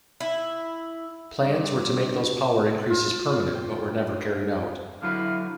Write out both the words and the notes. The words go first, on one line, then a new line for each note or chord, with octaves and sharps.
Plans were to make those power increases permanent, but were never carried out.
E4
G2
F4
G5
D3 F#3 E4 B4 F5